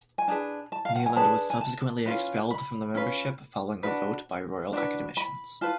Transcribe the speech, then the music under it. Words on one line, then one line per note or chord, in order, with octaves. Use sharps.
Neiland was subsequently expelled from the membership following a vote by Royal Academicians.
G#5
D4 G#4 B4 A5
A5
F5
F#5
G#5
D4 G#4 B4 A5
G#5
A5
C#4 F4 B4
B5
C#4 F4 B4
D4 F#4 B4
D4 F#4 B4
B5
F4 B4 A5